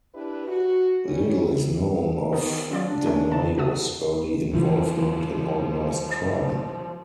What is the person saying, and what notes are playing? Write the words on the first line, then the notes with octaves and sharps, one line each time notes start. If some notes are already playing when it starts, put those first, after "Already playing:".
Little is known of DeMayo's early involvement in organized crime.
D4 E4 G4 B4
F#4
G3 C#4
D#3 B3 D#4
F#3 C#4 F4 D5
D4
A3 B3 C#4
C#3 A5
F#4 A5 D#6
E3 F3